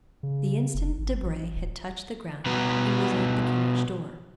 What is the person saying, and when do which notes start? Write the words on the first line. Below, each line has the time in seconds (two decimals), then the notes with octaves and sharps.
The instant Debray had touched the ground, he was at the carriage-door.
0.23 C#3
0.74 F1
0.99 G#1
1.23 A1
1.56 D1
2.46 B2 G3 B3 F#4 B4 A#5